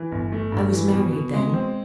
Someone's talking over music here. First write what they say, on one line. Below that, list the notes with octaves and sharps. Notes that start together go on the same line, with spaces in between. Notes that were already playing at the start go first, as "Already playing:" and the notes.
I was married then.
Already playing: E3
G1
A3
G2
E3
B2
B2
G#3
C4